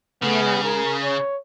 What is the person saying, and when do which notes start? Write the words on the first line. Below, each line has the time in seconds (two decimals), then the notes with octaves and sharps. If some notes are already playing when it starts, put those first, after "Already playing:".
You know?
0.22 C#3 B3
0.64 A#4
1.04 C#5